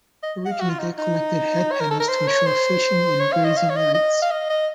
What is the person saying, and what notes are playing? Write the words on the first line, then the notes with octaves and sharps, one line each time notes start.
Originally they collected 'head pennies' to ensure fishing and grazing rights.
D#5
F#5
F5
F#4
F4
D#4
D#4
C#5
A#4
A4
A#4
C5
C#5
C5
C#5
F5
D#5
F5
C#5
D#5
D#5
F5
D#5
D#5